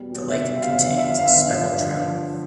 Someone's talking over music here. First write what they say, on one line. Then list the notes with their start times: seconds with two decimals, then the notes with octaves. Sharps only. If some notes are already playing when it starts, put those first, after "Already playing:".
The lake contains speckled trout.
Already playing: E2 B2 G3
0.12 B2
0.29 B2 E5
0.47 G3
0.56 E5
0.62 E2 F5
0.69 E5
0.77 F5
0.81 D3 E5
0.91 F5
0.98 F3 E5
1.04 F5
1.11 E5
1.17 E2 F5
1.25 E5
1.33 D3 F5
1.40 E5
1.46 F5
1.52 F3 E5
1.69 G2
1.87 D3 F5
2.04 F3